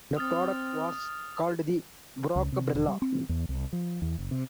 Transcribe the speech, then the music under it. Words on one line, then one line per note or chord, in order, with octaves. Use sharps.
The product was called the Brockabrella.
C4 D#6 F6 A6
C#2
C3
E1
G3
C4
E2
C2
F3
E2
F#1
C3